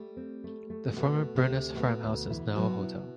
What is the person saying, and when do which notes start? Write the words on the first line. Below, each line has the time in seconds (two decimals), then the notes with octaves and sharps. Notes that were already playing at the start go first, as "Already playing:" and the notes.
The former Byrness farmhouse is now a hotel.
Already playing: G3 A3
0.17 C4
0.44 A3
0.70 A3
0.97 B2 A3
1.23 A3
1.36 C3
1.50 D2
1.76 B2 A3
2.03 D2
2.30 E3
2.56 B2 F#3
2.82 E4